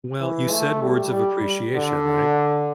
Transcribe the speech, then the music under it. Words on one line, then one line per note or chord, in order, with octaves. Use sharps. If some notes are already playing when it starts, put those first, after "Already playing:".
Well, you said words of appreciation, right?
E3
A3
G3
G3
D3